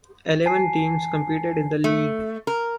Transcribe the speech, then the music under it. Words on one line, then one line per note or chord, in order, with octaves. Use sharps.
Eleven teams competed in the league.
G#5 A5 C7
A3
A#4